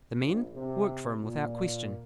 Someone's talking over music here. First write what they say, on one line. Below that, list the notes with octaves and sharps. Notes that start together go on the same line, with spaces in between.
The men worked for him without question.
A#1
C3
A#2